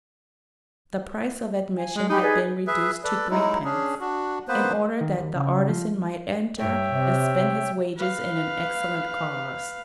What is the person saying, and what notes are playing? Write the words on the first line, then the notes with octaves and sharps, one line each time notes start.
The price of admission had been reduced to threepence, in order that the artisan might enter and spend his wages in an excellent cause.
G#5
G#3
D#4 G4 G#5 B5
G#4 B4 D5
G#4 B4 E5
A4 B4 D5
F#3 G#3 D#4 E4
C#4 D4 G#4
D4 F#4
A#3 B3 B4 C5
D#3
D#2
C#3
F3
G2 C#5 E5 G5
C3
B4 F5